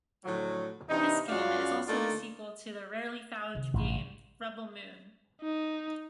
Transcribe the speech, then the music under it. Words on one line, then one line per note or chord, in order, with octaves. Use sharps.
This game is also the sequel to the rarely found game "Rebel Moon".
A2 D3 F3 F#3
C3 E3 D4 D#4
F#2 C#4 F4 F#4 D5 F5
A3 A#3 D4 D#4 F4 D5
C3 D#3
A1 G2
D#4